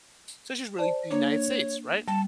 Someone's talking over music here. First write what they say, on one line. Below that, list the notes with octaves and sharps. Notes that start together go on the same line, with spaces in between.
So, it's just really the United States, right?
C5 D5 A5
A#3 D4 C#5
G3 A5